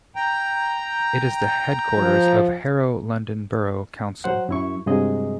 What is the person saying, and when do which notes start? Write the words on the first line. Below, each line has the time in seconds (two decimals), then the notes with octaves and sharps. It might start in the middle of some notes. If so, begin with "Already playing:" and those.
It is the headquarters of Harrow London Borough Council.
0.15 G5 A#5
1.97 F3
4.24 F#3 C5 F#5
4.49 F#2 E4 C#6
4.86 G2 C3 F#3 G#3 G#4 D#5